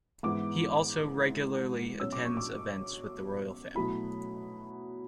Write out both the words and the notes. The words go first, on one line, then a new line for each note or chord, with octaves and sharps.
He also regularly attends events with the Royal Family.
G#2 E3 B3 E4 D6
B2 F#3 C#4 E6
D6
C#6
D6
B2 F#3 A3 E4 B5